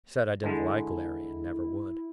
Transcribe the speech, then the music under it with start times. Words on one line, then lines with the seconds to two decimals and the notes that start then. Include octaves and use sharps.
I said I did n't like Larry, and never would.
0.43 D3 G#3 E4